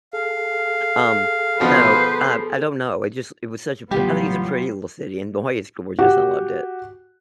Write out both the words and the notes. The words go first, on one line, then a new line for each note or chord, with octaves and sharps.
Um, no, um, I don't know. It just it was such a pr I think it's a pretty little city, and boy, it's gorgeous. I loved it.
G#4 A4 F5
B2 F3 F#4 B4 C5
A1 C#3 F#3 G3 B3 F4 G4
F#4 G4 F#5